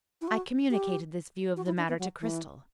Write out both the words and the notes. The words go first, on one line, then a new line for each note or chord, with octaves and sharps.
I communicated this view of the matter to Cristel.
E4
F#4
G4
F#4
E4
D4
B3
F#3
E3